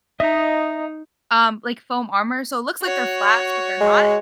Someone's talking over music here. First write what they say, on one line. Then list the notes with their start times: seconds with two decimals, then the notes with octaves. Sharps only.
um, like foam armor, so it looks like they're flats, but they're not.
0.20 D#4 D#5 E5 A#5
2.82 F#4 C#5
3.80 G#3